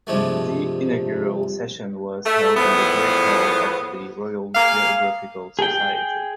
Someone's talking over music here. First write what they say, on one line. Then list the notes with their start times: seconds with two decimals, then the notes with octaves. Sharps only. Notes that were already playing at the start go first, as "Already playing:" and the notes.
The inaugural session was held in the Great Hall of the Royal Geographical Society.
0.07 G2 C3 F3 G#3 A3
2.25 A3
2.57 E2 A2 F3 B3
4.55 A#3 G#4 F5
5.59 G#4 G5